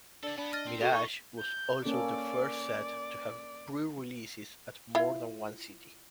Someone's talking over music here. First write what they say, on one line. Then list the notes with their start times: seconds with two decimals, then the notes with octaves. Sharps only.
"Mirage" was also the first set to have pre-releases at more than one city.
0.23 D4 A4 D5
0.38 B3 D4 B5
0.53 D#5 F6 A6
0.67 C4
0.81 C4 F#4 A4
0.93 D#4 E4 C#6
1.39 G6
1.85 A#3 C#4 A4 D5
4.95 E4 F4